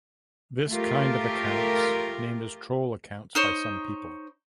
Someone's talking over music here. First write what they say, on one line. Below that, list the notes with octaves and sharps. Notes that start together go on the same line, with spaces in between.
This kind of accounts named as "troll accounts" by some people.
A3 F4 G4 A#4
D#4 C5 C#5